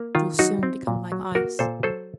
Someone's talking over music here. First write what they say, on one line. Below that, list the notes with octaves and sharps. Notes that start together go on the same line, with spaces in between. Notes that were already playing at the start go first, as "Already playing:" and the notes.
It will soon become like ice.
Already playing: A#3
D#3 F4
F#3 D#4 F#4
C4
A#2
F#3
A#3 F#4 A#4
A#2 A4 C5
F#3 A4 C5